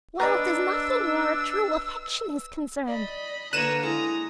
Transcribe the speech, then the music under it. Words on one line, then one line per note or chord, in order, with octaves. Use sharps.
Wealth is nothing where a true affection is concerned.
D4 B4 D5 D#5 G#5 A#5 E6
D5 D#5 B5
D3 A#3 B4 C#5 A#5 F#6 D#7 E7
G#3 E4 A4 A#5 D6 D#6